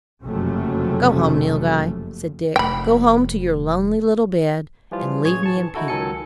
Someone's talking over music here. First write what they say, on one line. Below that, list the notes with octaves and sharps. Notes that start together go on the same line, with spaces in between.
'Go home, Nilghai,' said Dick; 'go home to your lonely little bed, and leave me in peace.
F#1 F2 C3 F#3 A3 C#4
F1 A3 G5 B5
E3 F3 G3 F4
A1 G#4 C#5 G#6
A5 C#6
E3
D#4 E4 F#4 A4
C#2 D#3 F#3 A4 G#5 C#7